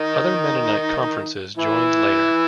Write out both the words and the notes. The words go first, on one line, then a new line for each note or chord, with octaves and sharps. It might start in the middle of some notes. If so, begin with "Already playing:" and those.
Other Mennonite conferences joined later.
Already playing: D#3 D#4
E3 E4